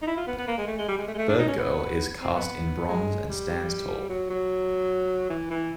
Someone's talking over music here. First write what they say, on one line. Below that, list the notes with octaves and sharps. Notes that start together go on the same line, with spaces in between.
"Bird Girl" is cast in bronze and stands tall.
D#4
E4
F4
B3
B3
A#3
G#3
A3
G#3
G3
G#3
A3
G#3
A3
D4
D#4
C#4
B3
C4
B3
G#3
G3
F#3
F#3
E3
E3